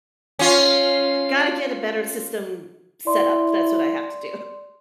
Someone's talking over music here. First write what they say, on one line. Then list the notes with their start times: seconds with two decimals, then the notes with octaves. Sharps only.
gotta get a better system set up, that's what I have to do.
0.39 C#4 F4
3.07 E4 D5 C6